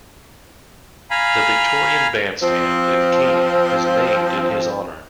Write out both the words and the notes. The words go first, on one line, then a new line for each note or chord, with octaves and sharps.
The Victorian Bandstand in Keene is named in his honor.
F5 G#5 A#5 B5
F3 C4